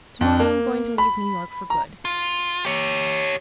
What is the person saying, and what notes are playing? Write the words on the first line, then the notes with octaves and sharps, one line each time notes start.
To-morrow I'm going to leave New York for good.
F2
A#3
B5
A#5
F4
G4 C#5